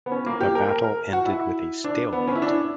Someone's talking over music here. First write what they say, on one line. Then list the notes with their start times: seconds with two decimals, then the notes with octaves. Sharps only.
The battle ended with a stalemate.
0.06 B3
0.12 C#4
0.26 A#3
0.41 G4
0.55 A#4
0.69 A#4
0.84 A#4
1.13 F#4
1.26 E4
1.84 D4
2.13 B3
2.28 C#4
2.36 E4
2.42 D4